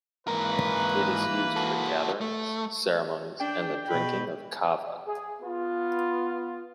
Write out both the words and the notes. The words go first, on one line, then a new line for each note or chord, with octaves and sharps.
It is used for gatherings, ceremonies and the drinking of kava.
G#2 E3 A#3 A#4 B4
F#4 A4
A3
D4 G5
B2 B4
G#4
B3 F4